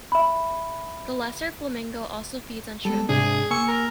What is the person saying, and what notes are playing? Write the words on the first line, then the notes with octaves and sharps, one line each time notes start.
The lesser flamingo also feeds on shrimp.
E5 B5
G3 G#3 B3 A4
G#2 C3 D4 G#4
A#3 G#5 C#6 E6
A#4